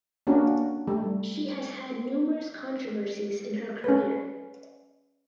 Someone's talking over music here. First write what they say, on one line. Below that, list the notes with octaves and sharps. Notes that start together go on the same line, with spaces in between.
She has had numerous controversies in her career.
A#3 C#4 D4 F#4 A#4
G3 A3
C#4 B4